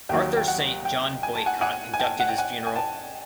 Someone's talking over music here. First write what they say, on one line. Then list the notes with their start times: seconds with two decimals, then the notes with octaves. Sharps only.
Arthur Saint John Boycott conducted his funeral.
0.09 D#2 D#3 F#3 G5
0.37 G5
0.48 F#5
0.85 G5
1.23 G#5
1.35 A5
1.46 F#5 G#5
1.61 F#5 G#5
1.94 G#5
2.00 G5 A5
2.20 F#5
2.29 G5
2.38 F#5 G#5
2.67 G#5
2.76 G5 A5